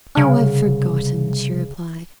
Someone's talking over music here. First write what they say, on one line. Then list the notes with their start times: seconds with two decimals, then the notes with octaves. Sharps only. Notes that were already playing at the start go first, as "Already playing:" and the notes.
"Oh, I've forgotten..." she replied.
0.17 C2 C#3